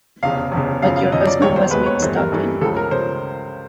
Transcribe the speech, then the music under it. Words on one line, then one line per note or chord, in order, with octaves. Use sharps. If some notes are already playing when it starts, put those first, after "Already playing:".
What your husband was mixed up in.
F1 E2 C#3 F5
F1 E2 C#3
F#2 C#3 F3 F5
F5
F#2 C#3 F3 D#5
D5
E1 D#2 D#3 G#3 C#5
C5
E1 D#2 D#3 G#3 B4
C#5
G2 E3 A3 C5
A#4
G2 E3 A3
C#2 C#3 F3 A4
A#4
C#3 F3 C5